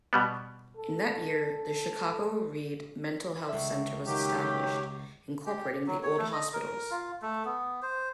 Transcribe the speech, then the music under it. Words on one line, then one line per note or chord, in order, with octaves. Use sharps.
In that year, the Chicago-Read Mental Health Center was established, incorporating the old hospitals.
B2 G3 B3
A4
C#2 E5
D#3 F#3 G4
G4
F#3
C#5
A3
D#5
A#4
F4
A3
B3
C5